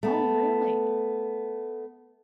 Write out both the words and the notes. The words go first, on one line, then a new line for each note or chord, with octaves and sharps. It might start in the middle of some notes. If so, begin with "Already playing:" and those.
Oh, really?
A3 B3